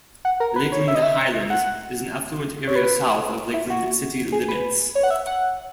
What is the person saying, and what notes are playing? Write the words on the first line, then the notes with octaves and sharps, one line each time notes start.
Lakeland Highlands is an affluent area south of Lakeland city limits.
F#5
A#4
B4
C#5
E5
D#5
E5
F#5
C#5
B4
E4
F#4
G#4
B4
C#5
F#5
E5
F#5